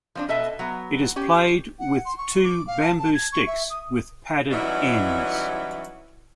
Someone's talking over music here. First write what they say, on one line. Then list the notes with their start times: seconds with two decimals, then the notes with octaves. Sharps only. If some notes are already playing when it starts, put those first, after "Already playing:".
It is played with two bamboo sticks with padded ends.
0.15 F3 C4 D4
0.29 B2 A4 D#5 E5 A5
0.59 F#3 B3
1.16 C#4 G4
1.79 F#5
2.05 C6
2.18 C#6
2.44 D6
2.67 F5
2.83 A5
2.99 A5
3.14 G#6
3.32 C#6
3.47 E5
3.70 D#6
4.51 E3 F#3 G3 C#4 D#4 E4